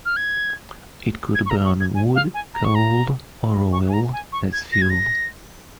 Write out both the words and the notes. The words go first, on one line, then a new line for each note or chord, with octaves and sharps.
It could burn wood, coal, or oil as fuel.
F6
G#6
G#6
C#6
A#5
C#6
G#6
G#5
F5
G#5
A#5
C#6
A#5
C#6
G#5
A#5
G#5
C#6
G#6
A#6
G#6
A#6